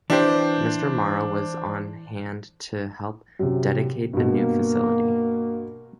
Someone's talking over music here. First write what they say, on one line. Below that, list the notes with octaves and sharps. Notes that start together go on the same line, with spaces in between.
Mr. Morrow was on hand to help dedicate the new facility.
E3 D4 G4 C5
F#2 C3
G2 B2 A#3